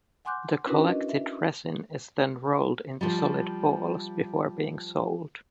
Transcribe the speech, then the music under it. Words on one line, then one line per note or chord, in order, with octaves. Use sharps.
The collected resin is then rolled into solid balls before being sold.
F#5 G#5 C6 D6 F#6 G6
C#4 D4 E4 F#4 A#4 B4
D#5
E5
F3 G3